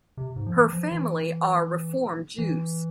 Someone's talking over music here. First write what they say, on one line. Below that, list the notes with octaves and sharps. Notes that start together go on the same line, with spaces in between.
Her family are Reform Jews.
C3
G#2
F3
E3
F3
E3
E3